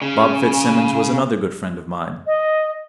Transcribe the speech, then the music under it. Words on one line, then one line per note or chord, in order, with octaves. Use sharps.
Bob Fitzsimmons was another good friend of mine.
C#3
D#5